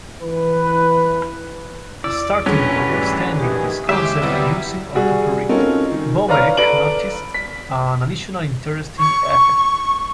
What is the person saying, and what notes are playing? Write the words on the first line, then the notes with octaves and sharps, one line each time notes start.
Starting work extending this concept using orthoferrite, Bobeck noticed an additional interesting effect.
E3 B4
E2 D5 E6
A2 D3 F#3 C#4 G#4 B4
G#2 E3 G3 D4 F#4
D#3 E3 G4 G#4
D#2 D3 G#3 C#4 G4 E5 D6
C3 F#3 G3 B3 E4
G3 F#4 G#4
C4 C#4 D#4 F4 A4 A#4
D#3
B4 C#5 D5 F5 A#5 F6
A4 B4 D5 A#5 D7 F#7
B6
C#6